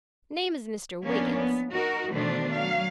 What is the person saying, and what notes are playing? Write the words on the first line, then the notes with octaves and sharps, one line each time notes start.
"Name is Mr. Wiggins."
F3 A#3 B3 C#4 D4
B3
D#4 F#4 A#4
B2 D#3 E3 A3 D4 C5
F#3 F5